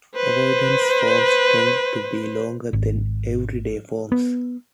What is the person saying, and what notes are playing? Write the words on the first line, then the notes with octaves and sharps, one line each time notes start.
Avoidance forms tend to be longer than everyday forms.
B4 C5
G#1
B3